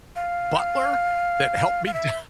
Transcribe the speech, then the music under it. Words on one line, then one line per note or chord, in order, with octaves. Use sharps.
butler that helped me down
F5
G5
F5
F5
E5